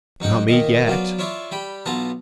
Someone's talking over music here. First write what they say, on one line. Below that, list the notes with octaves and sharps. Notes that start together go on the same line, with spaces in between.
Not me, yet.
F#2 D#4 F#5 G5
A#2 D#3 D#5
F#3 B3 F4 D5
E4 F4 C#5 D5 E5
G3 G5 B5
B1 B3 F4 A5 A#5